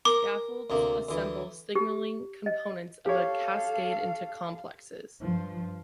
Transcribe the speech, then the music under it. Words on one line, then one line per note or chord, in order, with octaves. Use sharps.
Scaffolds assemble signaling components of a cascade into complexes.
A#4 D6
D2 C3 A#3
D2 E3
G4
D#5
G4 A4 C#5 F5
G2 F3